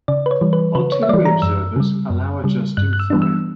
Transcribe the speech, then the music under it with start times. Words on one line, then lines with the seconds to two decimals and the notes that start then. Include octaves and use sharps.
Artillery observers allow adjusting fire.
0.08 C#3 D5
0.26 B4
0.31 C#5
0.41 E3 G3
0.53 B4
0.75 C#3 B4
0.92 C#5
1.03 E5
1.09 E3 G3 D5
1.25 A#5
1.42 F#2 E6
1.76 C#3 G3
2.10 F#2
2.44 C#3 G3
2.77 G2 F#6
2.93 F#6
2.99 E6
3.10 E3 G3 B3 D4
3.22 E6